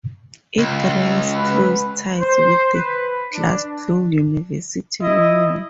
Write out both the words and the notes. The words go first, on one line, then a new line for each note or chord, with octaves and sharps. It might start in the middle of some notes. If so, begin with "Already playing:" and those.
It retains close ties with the Glasgow University Union.
C#2
F#4 B4
C5
B4
D4
E4 D#5